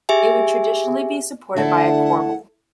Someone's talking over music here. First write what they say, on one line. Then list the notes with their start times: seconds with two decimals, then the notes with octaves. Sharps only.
It would traditionally be supported by a corbel.
0.09 G4 G#4 E5 G#5
1.56 D3 A3 E4 A4 F#5